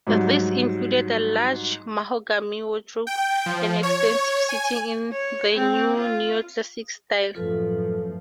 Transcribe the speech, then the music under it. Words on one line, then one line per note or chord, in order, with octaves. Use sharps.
This included a large mahogany wardrobe and extensive seating in the new Neo-classical style.
G#2 F#3 G3
G5
F3
C#5
G#5
C#5
C4
F4
F#2 A2 F3 F4 A4 B4